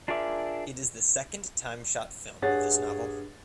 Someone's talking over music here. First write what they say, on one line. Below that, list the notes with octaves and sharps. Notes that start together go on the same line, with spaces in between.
It is the second time shot film of this novel.
D4 F4 G#4 A#4 D5 E5
G2 G#4 C#5 F#5 A6